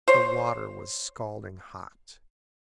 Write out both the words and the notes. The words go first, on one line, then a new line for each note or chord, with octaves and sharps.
The water was scalding hot!
C5 C#5